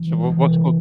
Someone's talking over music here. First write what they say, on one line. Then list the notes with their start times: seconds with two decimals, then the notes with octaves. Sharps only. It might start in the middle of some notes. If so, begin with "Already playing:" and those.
So w what's co
Already playing: E3
0.10 G#3
0.30 E3
0.49 C3